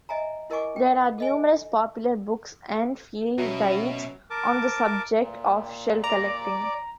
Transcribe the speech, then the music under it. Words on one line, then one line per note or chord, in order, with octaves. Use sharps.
There are numerous popular books and field guides on the subject of shell-collecting.
D#5 E5 G#5 A#5
E4 A#4 D#5 G#5 C#6 D6
G5
A4 D#5 G#5
B2 F#3 C#4 E5
A#4 A5 D6
A#2
D5 A#5